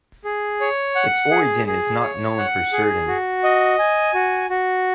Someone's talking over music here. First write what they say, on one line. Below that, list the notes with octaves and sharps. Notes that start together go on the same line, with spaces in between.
Its origin is not known for certain.
G#4
C#5
F#5
G#4
G#4
C#5
F#5
G#4
F#4
D#5
G#5
F#4
F#4